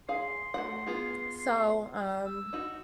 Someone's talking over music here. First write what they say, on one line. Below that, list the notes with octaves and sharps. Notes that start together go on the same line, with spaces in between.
so, um,
G#4 F5 C6
A3 F#4 F#5
B3 F4 G#4
E6
D#4 F#4